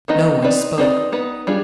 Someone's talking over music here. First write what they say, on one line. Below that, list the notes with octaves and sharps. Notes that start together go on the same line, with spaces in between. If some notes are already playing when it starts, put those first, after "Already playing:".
No one spoke.
D#3 B3 D#4 B4 D#5
C4 D#4 B4 D5
C4 D#4 B4 D5
B3 D#4 B4
G3 D4 F4 G#4